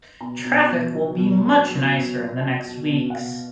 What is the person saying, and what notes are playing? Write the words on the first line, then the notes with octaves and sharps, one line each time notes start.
Traffic will be much nicer the next weeks.
B2 A#5
B2
B2
F#3
B2
F#3
F#3
F#3
F#3
F#3 A5
F#3
B2
F#5
B2 F5